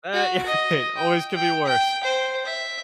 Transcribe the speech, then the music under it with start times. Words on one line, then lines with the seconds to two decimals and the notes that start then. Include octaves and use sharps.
Uh, yeah. Hey, it always could be worse.
0.13 F#4
0.46 D#5
0.96 G5
1.36 G5
1.65 G5
2.03 C5
2.46 E5